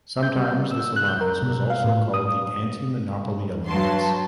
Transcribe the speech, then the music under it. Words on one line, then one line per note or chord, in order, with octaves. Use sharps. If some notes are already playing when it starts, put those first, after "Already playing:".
Sometimes this alliance was also called the "anti-monopoly alliance".
G6
G3
E6
F#6
G6
A#4
B2
F5
A2
D#6
G2 F#3 A5 C6